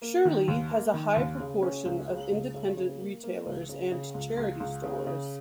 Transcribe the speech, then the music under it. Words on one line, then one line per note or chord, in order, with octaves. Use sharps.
Shirley has a high proportion of independent retailers and charity stores.
A#3
D#3
D#2
A#3
D#3
D#2
C#3
C#4
C#2
C#3
C#2
C#3
C#3
A#3
A#3
C#2
C#3
C#3
C#2
C#2
C#2
C#3
C#3